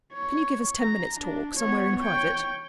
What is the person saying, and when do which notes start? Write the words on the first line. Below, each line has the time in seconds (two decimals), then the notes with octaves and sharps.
Can you give us ten minutes' talk, somewhere in private?
0.13 C#5
0.81 A#5
1.20 D4
1.58 B3 C#5
2.00 C#5 G5